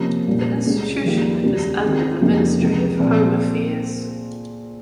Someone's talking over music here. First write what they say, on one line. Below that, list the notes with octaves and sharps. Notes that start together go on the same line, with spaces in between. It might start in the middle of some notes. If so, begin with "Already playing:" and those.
The institution is under the Ministry of Home Affairs.
Already playing: C3 F3 A#3 C#4 G4
C2 A#2 G3 A#3 C#4
C#2 C#3 G3 C#4
F2 D#3 G3 A#3 F4
D#2 C#3 G3
D#3 G#3 C4 D#4 G#4
F2 C#3 G3 A#3 D#4
C#2 C3 F3
A#2 F3 C4